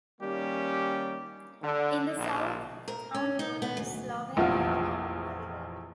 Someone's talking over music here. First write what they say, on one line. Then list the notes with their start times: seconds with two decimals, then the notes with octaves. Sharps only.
In the south the town borders Slovenia on the Mur River.
0.20 D#3 G3 A#3 C#4 G4
1.63 D3
2.19 A#1
2.88 A#4
3.14 C#4
3.39 D#4
3.62 B3
3.77 D2
4.36 F1 A#1 E2 F3 F4 F#5